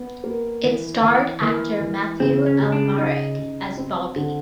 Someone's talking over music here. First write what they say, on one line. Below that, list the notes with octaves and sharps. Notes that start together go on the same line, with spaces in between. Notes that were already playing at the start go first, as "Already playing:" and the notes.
It starred actor Mathieu Amalric as Bauby.
Already playing: B3
A#3
E3
E3
E3 A#3
E3
C#3 C4
C#4
C#3
D4
C#3 D#4
C#3
C4
D3